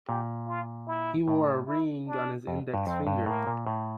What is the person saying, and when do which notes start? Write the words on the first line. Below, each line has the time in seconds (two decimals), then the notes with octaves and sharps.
He wore a ring on his index finger.
0.09 A#2 G4
0.48 F4
0.87 E4
1.28 A2
1.68 E4
2.08 D4
2.47 F2
2.74 G2
2.86 F2 C4
3.07 G2
3.26 A2 A#3
3.47 A#2
3.67 A2